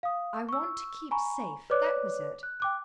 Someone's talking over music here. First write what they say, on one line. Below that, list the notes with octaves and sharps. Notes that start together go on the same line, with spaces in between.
'I want to keep safe.' That was it.
F5 D#6
C#6 E6
G#5 A#5 B5 C#6
B4 C#5 D5 D6 F#6
F#6
G5 D6 F#6